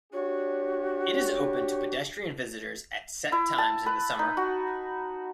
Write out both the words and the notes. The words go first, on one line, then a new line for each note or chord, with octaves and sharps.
It is open to pedestrian visitors at set times in the summer.
D4 F#4 G4 C#5
E4
A5
B4
D#4
F#4